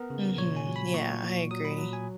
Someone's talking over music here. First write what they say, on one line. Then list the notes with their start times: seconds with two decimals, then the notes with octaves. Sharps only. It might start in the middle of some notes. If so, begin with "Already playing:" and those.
Mhm. Yeah, I agree.
Already playing: B3 A#4
0.10 C#3
0.38 A#2 C#5
0.56 G#5
0.67 F#3
0.76 B5
0.94 A#2 C#6
1.23 A#2
1.51 F#3 D#6
1.65 B5
1.78 F#3
1.93 G#5